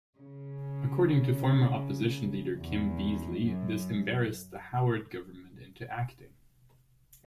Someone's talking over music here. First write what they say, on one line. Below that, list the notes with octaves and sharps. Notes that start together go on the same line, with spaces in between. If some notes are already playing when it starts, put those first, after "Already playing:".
According to former opposition leader Kim Beazley, this embarrassed the Howard government into acting.
C#3
E2
F#2